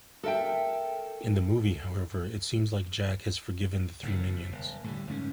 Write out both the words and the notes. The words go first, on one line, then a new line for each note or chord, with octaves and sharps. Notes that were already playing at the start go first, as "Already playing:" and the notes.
In the movie however it seems like Jack has forgiven the three minions.
A4 A#4 E5 G5
F#1 E2 A2
D#1
A2 D3 G3
F#1 G#2 A3 C#4